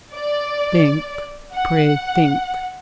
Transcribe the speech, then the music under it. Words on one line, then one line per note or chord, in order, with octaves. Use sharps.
Think; pray think!
D5
F#5